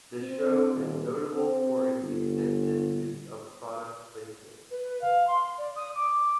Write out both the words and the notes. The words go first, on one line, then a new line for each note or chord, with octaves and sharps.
The show is notable for its extensive use of product placement.
C4
D#1
C4
G1
B4
F5
C6
D5
D#6
D6